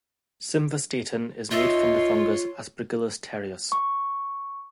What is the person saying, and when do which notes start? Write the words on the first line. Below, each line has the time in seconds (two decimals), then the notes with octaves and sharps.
Simvastatin is made from the fungus "Aspergillus terreus".
1.51 D#4 F4 C#5 D#5 E5 C6
3.72 C#6